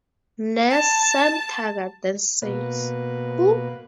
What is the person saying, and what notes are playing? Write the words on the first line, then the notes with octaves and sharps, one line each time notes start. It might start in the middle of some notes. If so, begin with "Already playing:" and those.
Nurse Sam Taggart then says, Who?
A5
B2 A#3 B4